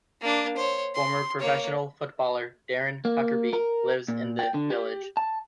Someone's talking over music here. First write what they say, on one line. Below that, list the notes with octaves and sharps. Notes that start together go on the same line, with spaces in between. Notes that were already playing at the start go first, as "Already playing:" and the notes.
Former professional footballer Darren Huckerby lives in the village.
A#3 D4
C5 C#5
C6
A#3 C#5
A#3
A#4
A#2
G5
D3
G4
A5